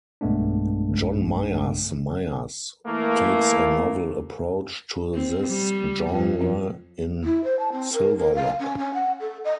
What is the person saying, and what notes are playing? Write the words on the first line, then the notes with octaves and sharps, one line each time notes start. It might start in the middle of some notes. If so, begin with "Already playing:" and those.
John Myers Myers takes a novel approach to this genre in Silverlock.
B1 G2 G#3 A3 B3 D4
E3 A3 A#3
C4
G3
F2
E4
C5
A5
C4
A#4
A#4
F5
C#4
C#4
F#5
A4
D#5